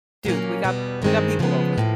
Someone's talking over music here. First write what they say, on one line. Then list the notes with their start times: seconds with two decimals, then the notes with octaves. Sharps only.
"Dude, we got we got people over,
0.25 A#2 F#3 A#3 C#4
0.64 E2 B2 G3 B3
1.02 G2 D#3 G#3 C4
1.39 C#3 F3 G#3 B3
1.78 A2 F3 A#3